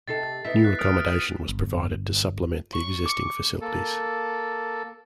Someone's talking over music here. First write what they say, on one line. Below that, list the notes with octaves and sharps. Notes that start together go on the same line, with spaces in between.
New accommodation was provided to supplement the existing facilities.
C3 D#4 A4 A6 C7
B3 D#4 E4 B6
F#6 B6
D#6 F6 D7
G1
C#6
D6 C#7
A#3 A4